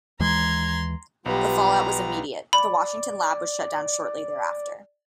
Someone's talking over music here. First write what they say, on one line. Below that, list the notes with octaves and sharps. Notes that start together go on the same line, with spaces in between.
The fallout was immediate; the Washington lab was shut down shortly thereafter.
D#2 E3 G#3 A#5 C6 G#6
B1 G3 B3 F4 G4 B4 A#5
D5 B5